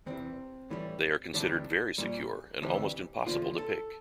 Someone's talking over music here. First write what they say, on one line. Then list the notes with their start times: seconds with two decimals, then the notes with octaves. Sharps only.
They are considered very secure and almost impossible to pick.
0.06 E2 C3 E3 C4
0.70 A2 E3 G3
1.34 D2 C3 E3 G3 D4
1.98 C2 A#2 G3
2.62 D2 C3 E3 G3
3.27 E2 D3 F3 F4
3.58 A4